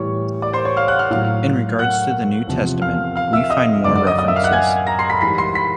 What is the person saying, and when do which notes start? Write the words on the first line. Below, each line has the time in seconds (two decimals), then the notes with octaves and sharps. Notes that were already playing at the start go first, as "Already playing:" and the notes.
In regards to the New Testament we find more references.
Already playing: A2 E3 G3 C#5 C#6
0.42 D5 D6
0.53 C5 C6
0.65 C#5 C#6
0.77 F5 F6
0.88 F#5 F#6
0.99 F5 F6
1.11 A2 F#3 F5 F6
1.79 F#5 F#6
2.47 E2 C3 F3
2.82 F5 F6
3.16 F5 F6
3.33 E5 E6
3.50 D#5 D#6
3.84 F#2 D3 F#3 D5 D6
3.96 D5 D6
4.07 D#5 D#6
4.18 D#5 D#6
4.28 E5 E6
4.36 F5 F6
4.44 F#5 F#6
4.53 G#5 G#6
4.87 A#5 A#6
4.99 C6 C7
5.10 B5 B6
5.21 G#2 E3 G3 B5 B6
5.38 C6 C7
5.55 B5 B6